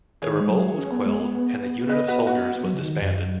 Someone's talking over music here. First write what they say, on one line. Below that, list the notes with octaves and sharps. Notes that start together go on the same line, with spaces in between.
The revolt was quelled and the unit of soldiers was disbanded.
D#3 G#4 C#5
G#3
F#3
C#4
B3
G#3
B3
B4 D#5
F#4 B4
F#4
B3 F#4
F#3
C#3
D#3
F#2